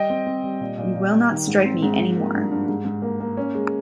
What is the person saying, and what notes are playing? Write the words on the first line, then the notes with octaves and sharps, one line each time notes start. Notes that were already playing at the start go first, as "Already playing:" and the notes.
You will not strike me anymore!
Already playing: G3 D#5 G5
C4
C4
G3
A#2
A#2
A#2
G3
D#3
G#2
C4
G#2
F3
A#3
G2
G2
G#2
G#2
A#3
A#3
C#4
G#3